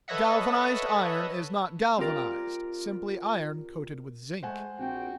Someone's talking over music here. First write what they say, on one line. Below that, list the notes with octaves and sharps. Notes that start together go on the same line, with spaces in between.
Galvanized iron is not galvanized--simply iron coated with zinc.
A4 B4 C#5 D#5 E5 F#5
C4 F4 G4 A#4 D5
G#3 A3 C5 F#5 G#5
A#1 C4 F#4 G5